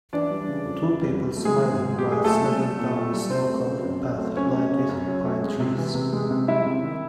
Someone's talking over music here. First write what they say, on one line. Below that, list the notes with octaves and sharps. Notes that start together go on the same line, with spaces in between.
Two people smiling while sledding down a snow covered path lined with pine trees.
E3 D4 D5
G3
C#3
F2
E3
G3
F#3
A3
G#3 G#4
D#3
G#2
F#3
G4
A3 G#4
A#2 A3 A4
G3
G3
A#2
A#2
G3
F#3 C4 C5
A3
C#3
F#2
F#3
A3
F#3 C#4 C#5
A3
C#3
F#2
F#3
A3
G#3
C3
E3
C3
G#3
C3
G3 E4 E5
C3
D#3